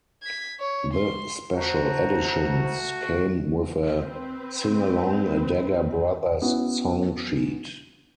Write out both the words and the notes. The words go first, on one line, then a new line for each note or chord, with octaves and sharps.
The special editions came with a 'Singalong a Dagger Brothers' song sheet.
G#6 B6
C#5
C6
A3 F#4 C5 A5 A#5
C4 B4
B3 C#4 E4 F#4